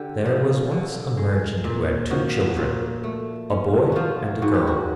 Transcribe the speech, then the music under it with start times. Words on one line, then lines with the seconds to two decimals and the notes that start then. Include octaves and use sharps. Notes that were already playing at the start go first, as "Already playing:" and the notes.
There was once a Merchant who had two children, a boy and a girl.
Already playing: D3 G4
0.25 F3
0.71 D3
1.17 G#3
1.64 A#2
2.11 F3 F#4
2.57 A#2
3.04 A3
3.50 C#4
3.92 F3 F4 F#4
4.42 G#2 F#4
4.54 G4
4.67 F#4